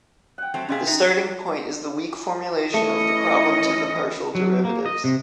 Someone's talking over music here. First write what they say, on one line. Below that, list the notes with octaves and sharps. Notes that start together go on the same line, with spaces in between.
The starting point is the weak formulation of the problem to the partial derivatives.
F#5 G5
F#3 A3 C4
C3 C#4 G#4 D#5 F5
D#4 E5
E3 A3 C#4 E4 D#5 C#7
F#3
A#3
D#5
C3